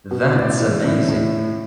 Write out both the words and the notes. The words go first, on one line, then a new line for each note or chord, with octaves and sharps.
That’s amazing.
B2
A2 D5
E3
A2
A2